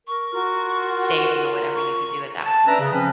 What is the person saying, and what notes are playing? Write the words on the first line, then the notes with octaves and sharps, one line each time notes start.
saving or whatever you can do at that point.
A#4 C#6
F4 F#4 A#4
C#6
A5
C#4 D4 B4 D5 E5 A#5
C#3
F3 C4 C#4 B4